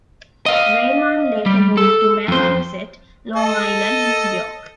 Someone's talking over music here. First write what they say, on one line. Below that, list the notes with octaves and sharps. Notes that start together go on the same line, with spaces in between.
Reimann later moved to Manhasset, Long Island, New York.
D#5 F5
G3
A4
F2 C5
A4 D#5